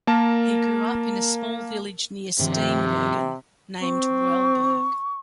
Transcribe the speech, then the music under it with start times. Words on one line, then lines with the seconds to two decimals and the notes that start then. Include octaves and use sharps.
He grew up in a small village nearby Steenbergen named Welberg.
0.07 A#3 A#4 A5
2.39 G2 C3 D#3 F3
3.82 C4 C#6